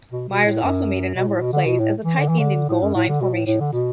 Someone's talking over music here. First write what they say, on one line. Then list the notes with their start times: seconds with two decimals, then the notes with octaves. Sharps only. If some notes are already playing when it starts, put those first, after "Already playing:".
Myers also made a number of plays as a tight end in goal-line formations.
0.12 B2
0.29 B2
0.46 A2
0.63 F#2
1.15 B2
1.28 A2
1.41 B2
1.53 D3
1.66 B2
1.80 A2
2.05 E3
2.18 D3
2.28 E3
2.39 D3
2.69 A2
2.82 F#2
2.95 A2
3.09 D3
3.21 B2
3.34 A2
3.47 A2
3.60 D3
3.72 B2